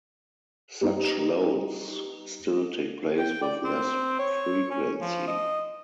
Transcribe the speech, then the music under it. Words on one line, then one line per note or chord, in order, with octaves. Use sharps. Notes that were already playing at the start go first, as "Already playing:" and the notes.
Such loads still take place with less frequency.
G3 B3 D#4
G5
D5
C4
C#5
C#4
F3
D#5